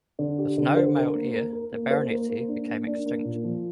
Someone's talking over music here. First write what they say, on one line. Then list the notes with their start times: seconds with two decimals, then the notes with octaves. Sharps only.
With no male heir the baronetcy became extinct.
0.19 D3
0.38 G4
0.58 D3
0.77 C5
0.96 A#4
1.15 A#3
1.34 A#4
1.53 A#4
1.72 A#3
1.91 C5
2.10 A#3
2.29 A#3
2.48 D4
2.67 A#3
2.86 D4
3.06 A#3
3.24 A#2
3.44 F3